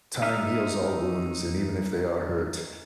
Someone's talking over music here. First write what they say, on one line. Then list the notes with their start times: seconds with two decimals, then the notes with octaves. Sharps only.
"Time heals all wounds, and even if they are hurt,
0.22 D#4 E5 E6 F6